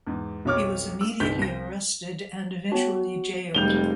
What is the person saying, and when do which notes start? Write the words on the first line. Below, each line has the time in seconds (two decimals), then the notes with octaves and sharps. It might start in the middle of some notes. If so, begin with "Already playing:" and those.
He was immediately arrested and eventually jailed.
0.07 E2 G#2
0.45 B1 F2 C#5 D6 F6
1.01 E6
1.20 G1 C2 D#4 G6 B6
1.39 C2 A#6
2.72 B3 F#4 C#5 A5
3.55 F1 G3 G#3 G6 F7 G7